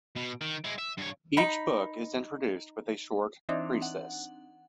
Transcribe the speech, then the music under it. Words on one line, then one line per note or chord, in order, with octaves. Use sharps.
Each book is introduced with a short precis.
B2
D#3
G#3 E4
E5
G2 C#5
D#4 B5
E3 C4 D4 D#4
F#5